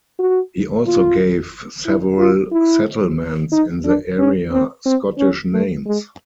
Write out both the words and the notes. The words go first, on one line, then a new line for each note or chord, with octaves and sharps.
He also gave several settlements in the area Scottish names.
F#4
F4
E4
F4
E4
D#4
D4
C#4
C4
C4
C#4
A3
G#3